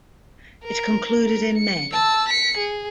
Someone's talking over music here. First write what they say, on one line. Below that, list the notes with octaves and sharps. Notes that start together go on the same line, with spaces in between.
It concluded in May.
A#4
A#4
C#7
A5 E6
B6 C#7
G#4